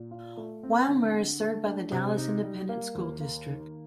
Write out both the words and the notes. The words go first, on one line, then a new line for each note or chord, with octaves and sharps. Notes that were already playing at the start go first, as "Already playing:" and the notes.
Wilmer is served by the Dallas Independent School District.
Already playing: A#2
F4
A3
C4
D3
D3
A3
D4
C3
D#4
G3
A#3
D#2
A#3
D#3